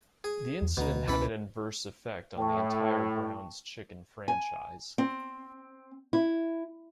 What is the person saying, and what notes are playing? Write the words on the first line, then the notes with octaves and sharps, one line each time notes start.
The incident had an adverse effect on the entire Brown's Chicken franchise.
G#4
E2
D2 B2 A#5
C#2 B2 E3 C#4 A4 B5
A2 G5 A5 C#6
G#5
C4
E4